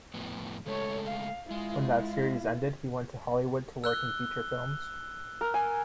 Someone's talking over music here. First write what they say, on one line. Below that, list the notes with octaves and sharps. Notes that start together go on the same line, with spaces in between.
When that series ended, he went to Hollywood to work in feature films.
F2 A2 B3
C#3 G#3 A3 A4 C#5
F5
G#3 E4 F4
E6 F#6 G7
A#4
G#5